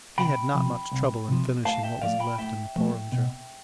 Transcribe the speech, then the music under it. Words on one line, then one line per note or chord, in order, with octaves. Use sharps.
He had not much trouble in finishing what was left in the porringer.
C2 G5 B5
C3 F3
C2
C3 F3
A2 F5 A5
E5 G5
F3 A3 D5 F5
G5 B5
A2 E5 G5
F3 A3
B2